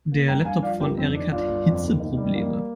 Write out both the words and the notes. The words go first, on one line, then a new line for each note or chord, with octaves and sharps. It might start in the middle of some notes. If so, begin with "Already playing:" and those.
Der Laptop von Erik hat Hitzeprobleme.
A#3
G2 G5 A#5
G2 F5 G#5
F3 D5 F5
G1 G4 A#4
F2 C4
D#3 D4
G1 D4 F4
G1
F2
D#2
D#3
G3
A#3